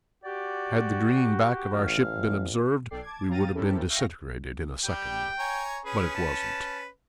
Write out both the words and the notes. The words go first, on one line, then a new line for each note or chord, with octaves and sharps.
Had the green back of our ship been observed, we would have been disintegrated in a second. But it wasn't.
F#4 G4 D5
A1 F5
B1 A4 D5 G5 C7
A5 D6 G#6
F#3 F5 G5 A#5 A6 D#7
C4 C#4 E4 G4 A4 A#4
E5 F5 G5 C#6 A#6
G3 G4 G5
C#5 G#5 A#5
C#4 G#4 B4
A5